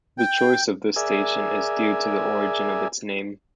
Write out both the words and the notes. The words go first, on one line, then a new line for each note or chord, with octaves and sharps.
The choice of this station is due to the origin of its name.
G5
G#4 A#4 D5 E5 G#5